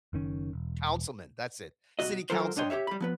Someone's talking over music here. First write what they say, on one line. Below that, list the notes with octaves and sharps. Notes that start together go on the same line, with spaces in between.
councilman. That's it, city councilman.
F#1 D#3 C#4
E1
B1 F#4 D#5
F#3 F4 A4 A#4 C5
G2 D4 C#5 D#5 G5 C6
G4 G#4 C#5 E5
G3 B5
F3 B3 B4